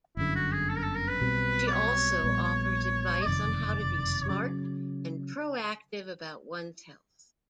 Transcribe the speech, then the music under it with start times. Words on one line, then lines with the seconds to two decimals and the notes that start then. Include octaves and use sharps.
She also offers advice on how to be smart and proactive about one's health.
0.17 G1 F#2 D3 E4
0.35 F#4
0.52 G#4
0.69 A4
0.76 A#4
0.82 A4
0.95 A#4
1.08 B4
1.21 B1 B2 G3 C4
1.68 D5
1.72 C#5
2.24 A#1 A#2 G3 B3
3.21 D#5
3.26 F#1 F2 C3 D#3 D5
4.22 C#5
4.29 C#3 F#3 D5